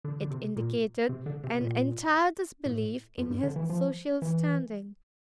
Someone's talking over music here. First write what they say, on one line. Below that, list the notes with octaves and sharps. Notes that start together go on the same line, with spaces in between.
It indicated an entire disbelief in his social standing.
D3
D3
C3
A#2
C3
D3
C3
A#2
A2
F2
G2
D3
E3
F3
E3